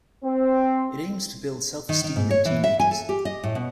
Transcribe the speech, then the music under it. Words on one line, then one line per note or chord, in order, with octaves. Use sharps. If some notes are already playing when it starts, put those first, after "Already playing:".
It aims to build self-esteem in teenagers.
C4
D#3
D#3
G#2
C#5
E3
E5
G#5
A4
G4
D#5
A2
B2